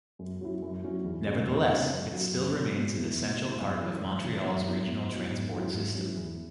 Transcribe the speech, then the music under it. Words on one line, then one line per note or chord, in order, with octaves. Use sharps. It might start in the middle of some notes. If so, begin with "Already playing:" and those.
Nevertheless, it still remains an essential part of Montreal's regional transport system.
F#2
F#3 C#4 E4
F#2
F#3 C#4 E4
E2
C#3 G#3 C#4
E2
C#3 G#3 C#4
F#2
F#3 C#4
F#2
F#3 C#4
B2
G#3 B3 E4
B2
G#3 B3 E4
F#2
E3 C#4 E4
F#2
E3 C#4 E4
F#2
F#3 B3 E4
F#2
F#3 B3 E4
G#2
F#3 C#4 E4
G#2
F#3 C#4 E4
E2